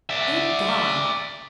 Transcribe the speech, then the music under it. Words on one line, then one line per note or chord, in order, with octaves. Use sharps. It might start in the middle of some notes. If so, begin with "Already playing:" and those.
Thank God!
D5 E5